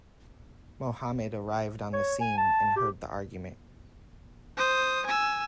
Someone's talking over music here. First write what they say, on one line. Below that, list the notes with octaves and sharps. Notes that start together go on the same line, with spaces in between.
Muhammad arrived on the scene and heard the argument.
C#5
G#5
A5
G4
C5 D#6
G#5 E6